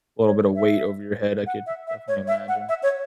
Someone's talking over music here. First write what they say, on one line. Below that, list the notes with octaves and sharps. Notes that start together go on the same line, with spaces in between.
little bit of weight over your head, I could definitely imagine,
C#5
E5
F#5
E5
E5
C#5
E5
F#5
E5
C#5